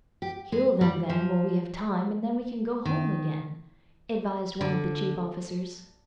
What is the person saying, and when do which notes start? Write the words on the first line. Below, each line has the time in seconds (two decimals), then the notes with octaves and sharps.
"Kill them, then, while we have time, and then we can go home again," advised one of the chief officers.
0.22 G4
0.52 G#3
0.81 G3
1.10 F3
2.85 D#3
4.61 D3